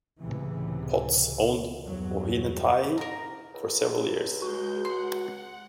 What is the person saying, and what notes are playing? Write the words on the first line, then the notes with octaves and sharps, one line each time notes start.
Potts owned Ohinetahi for several years.
C#2 A2 C3 E3
E2 G2 F#3
A#4 A#5
C#2
G#3 F#4 G6
F#5 C6